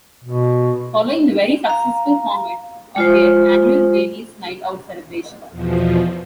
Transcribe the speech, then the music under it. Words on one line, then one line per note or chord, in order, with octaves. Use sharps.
Following the very successful format of their Annual Ladies Night Out celebration...
B2
F5 A#5
G#3 F4 C5
E2 B2 F3